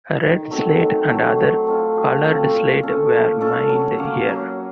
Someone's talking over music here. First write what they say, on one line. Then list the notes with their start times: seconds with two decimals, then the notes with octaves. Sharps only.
Red slate and other colored slate were mined here.
0.22 D#3
0.51 F#3 A3 C4
0.80 D#3
1.08 F#3 A3 C4
1.38 F#3
1.67 A3 C4 F4
1.96 F#3
2.25 A3 C4 F4
2.54 A#2
2.83 A3 C#4 A4
3.13 A#2
3.41 A3 C#4 A4
3.69 F#3
3.99 A#3 C#4
4.29 F#3